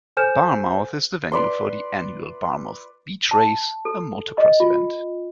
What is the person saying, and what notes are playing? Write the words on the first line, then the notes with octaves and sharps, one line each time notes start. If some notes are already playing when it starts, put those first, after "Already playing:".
Barmouth is the venue for the annual Barmouth Beach Race, a motocross event.
A4 C5 G#5 F6 G6 E7
B4 D5 C6
A5
A4
D#5
F4